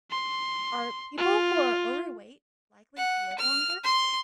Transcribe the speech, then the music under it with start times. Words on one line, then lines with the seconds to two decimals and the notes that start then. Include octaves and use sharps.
Are people who are overweight likely to live longer?
0.11 C6
1.18 F4
2.97 F#5
3.39 F6
3.84 C6